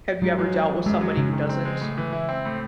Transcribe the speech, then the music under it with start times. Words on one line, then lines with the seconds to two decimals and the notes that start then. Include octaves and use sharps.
Have you ever dealt with somebody who doesn't
0.22 G#2 F#3
0.38 G#3
0.53 G#2
0.70 E3
0.86 F#2 G#3
1.01 F#3
1.17 F#2 C#3
1.33 D#3
1.49 C4
1.65 G#3
1.81 A2
1.98 E3
2.13 E4
2.29 C4
2.45 A2